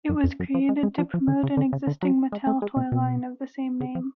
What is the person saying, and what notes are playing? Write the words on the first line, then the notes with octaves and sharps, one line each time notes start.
It was created to promote an existing Mattel toy line of the same name.
F#2
F2
F#2
F3
G#3
G#3
F3
F3
D3
C#3
D3
C#3
D3
F#3
G#3
A3
G#3
B2
B2
C#3
F3